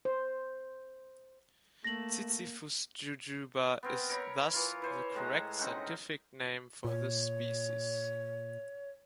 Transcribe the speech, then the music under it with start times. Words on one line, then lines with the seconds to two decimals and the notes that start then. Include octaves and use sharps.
"Ziziphus jujuba" is thus the correct scientific name for this species.
0.05 C5
1.84 A3 A#3 A#6 F#7
3.83 B3 C4 A#4
4.09 A#4 C#5 B5
4.53 E3 F4
4.82 E3 C5 C#5
5.14 A2 G#3 A#5
5.59 C4 C#4 D#4 F#5
6.85 A#2 C#5